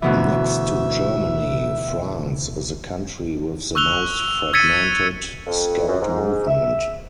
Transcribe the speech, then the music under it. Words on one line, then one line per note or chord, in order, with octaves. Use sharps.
Next to Germany, France is the country with the most fragmented Scout movement.
D2 B2 E3 E5
C#6 E6 F#6 F7 G7
E6 G#6 A6 B6 C#7 D#7
F2
F#2
G#2
E5